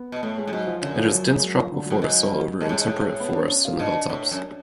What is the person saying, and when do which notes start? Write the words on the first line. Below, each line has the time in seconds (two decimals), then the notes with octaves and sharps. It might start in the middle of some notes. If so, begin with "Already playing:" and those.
It has dense tropical forests all over and temperate forest in the hilltops.
Already playing: B3
0.12 B2
0.23 A2 A3
0.38 G#3
0.47 A2
0.52 G#2 F#3
0.67 F3
0.82 F#2 D3
0.97 F3
1.12 F#3
1.27 G#3
1.42 F#3
1.57 F3
1.72 D3
1.86 A2 F#3
2.02 G#2
2.61 B2 G#3
2.69 A2
2.78 G#2
2.87 A2
3.20 B3
3.35 D4
3.50 C#4
3.65 F4
3.79 B2 D4
4.09 A2
4.31 F#2